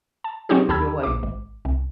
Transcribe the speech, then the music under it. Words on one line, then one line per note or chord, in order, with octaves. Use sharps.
I feel like
A5
F#3 C4 C#4 D#4 G4 G#4
D#2 G4 A5 B5 E6 G#6
A#1 D6
G#1
C2